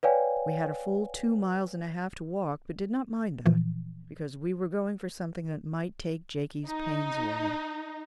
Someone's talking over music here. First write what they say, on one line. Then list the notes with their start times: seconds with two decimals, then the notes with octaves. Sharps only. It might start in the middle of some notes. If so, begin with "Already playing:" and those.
We had a full two miles and a half to walk, but did not mind that, because we were going for something that might take Jakie's pains away.
0.03 B4 C#5 D5 F5 G5 G#5
3.46 A#2 E3 F3
6.65 D#4